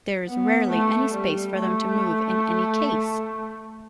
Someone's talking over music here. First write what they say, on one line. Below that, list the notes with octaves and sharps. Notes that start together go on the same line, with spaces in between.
There is rarely any space for them to move in any case.
B3
A3
G3
A3